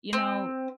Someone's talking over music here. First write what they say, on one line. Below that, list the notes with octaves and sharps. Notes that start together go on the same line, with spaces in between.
you know,
C4